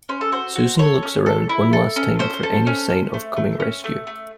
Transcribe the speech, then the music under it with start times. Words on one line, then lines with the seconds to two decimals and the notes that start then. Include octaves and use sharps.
Susan looks around one last time for any sign of coming rescue.
0.09 C#4 C5
0.21 A4
0.32 F#4 C5
0.56 F#4
0.79 A4 C#5
1.03 C#4
1.26 A4
1.49 E4
1.73 A4
1.96 C#4
2.19 C#4 C5
2.43 A4
2.67 C#4
2.90 C#4
3.14 A3
3.37 A3
3.60 C#4
3.84 A3
4.07 A3